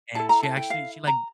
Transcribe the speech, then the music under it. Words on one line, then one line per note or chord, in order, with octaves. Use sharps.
and she actually, she like
E4 A4 A5
A#5
A5
G5
F5
A#5